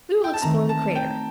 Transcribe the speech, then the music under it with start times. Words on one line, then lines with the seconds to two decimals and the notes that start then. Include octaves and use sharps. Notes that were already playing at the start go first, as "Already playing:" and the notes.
We will explore the crater.
0.24 G5
0.34 A5
0.42 D#3 A3 C4 A#5
0.69 A5
0.95 G5